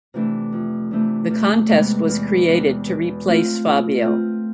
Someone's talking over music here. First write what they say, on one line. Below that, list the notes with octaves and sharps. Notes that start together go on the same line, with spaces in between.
The contest was created to replace Fabio.
C3 E3 A3 D4
F2
C3 E3 A3 D4
E2
C3 G#3 B3
E2
C3 G#3 B3
B2
A3 C4 F4
B2
A3 C4 F4